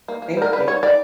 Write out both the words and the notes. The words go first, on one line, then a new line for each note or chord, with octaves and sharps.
Thank you.
A#3
A#3
G3 A#4
G3 B4
G3 C#5
D#3 D5